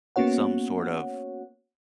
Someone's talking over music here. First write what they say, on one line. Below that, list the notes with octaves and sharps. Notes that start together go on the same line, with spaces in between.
some sort of
A#3 B3 C#4 F#4 C#5 F#5